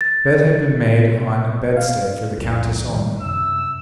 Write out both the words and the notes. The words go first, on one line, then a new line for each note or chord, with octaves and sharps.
A bed had been made on a bedstead for the countess only.
A6
B2
F5
C2 F2
D#3 G3
F#2 C3 E6